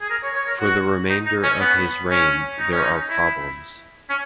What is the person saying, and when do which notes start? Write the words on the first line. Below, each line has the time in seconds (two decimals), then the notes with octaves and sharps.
For the remainder of his reign there are problems.
0.01 G#4
0.10 A#4
0.23 C#5
0.36 C#5
0.47 A#4
0.60 F#4
1.09 D#4
1.26 D#4
1.43 C#4
1.60 B3
2.10 C#4
2.59 D#4
2.71 C#4
2.83 D#4
3.10 E4
4.10 C#4